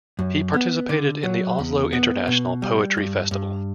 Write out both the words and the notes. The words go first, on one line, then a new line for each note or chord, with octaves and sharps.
He participated in the Oslo International Poetry Festival.
F#2
B3
D3
F#3
E2
B3
B2
G3
G2
G2